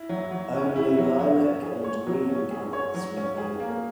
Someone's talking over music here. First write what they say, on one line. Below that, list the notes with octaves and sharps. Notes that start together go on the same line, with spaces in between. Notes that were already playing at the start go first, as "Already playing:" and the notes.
Only lilac and green colors were available.
Already playing: E4
F#3
F#3
C#4
E4
F#3
F#3
C#4
G#4
C#5
F#3
C#4
G#4
C#5
F#3
C#4
G#4
A#3